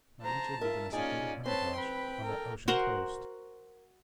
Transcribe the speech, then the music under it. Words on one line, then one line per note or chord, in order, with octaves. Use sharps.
Maricha lived in a secluded hermitage on the ocean coast.
C5 A5 A#5
F4 A#4 E5
A#3 C#4 D#4 F4 G#4 D5
C4 B4 C#5 A5 C6
B4 G5 B5
A4 A#4
F#4 A#4 C5 F#5